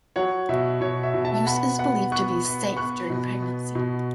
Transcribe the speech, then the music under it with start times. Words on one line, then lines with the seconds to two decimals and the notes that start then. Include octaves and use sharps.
Use is believed to be safe during pregnancy.
0.16 F#3 C#5 F#5
0.49 B2 E5
0.81 B2 C#5
1.03 E5
1.14 B2
1.25 E5 A5
1.47 B3 F#5 B5
1.79 B3 F#5 B5
2.12 B3 C#6 F#6
2.45 B3
2.76 B3 C#6 F#6
3.10 B2
3.42 B3
3.75 B2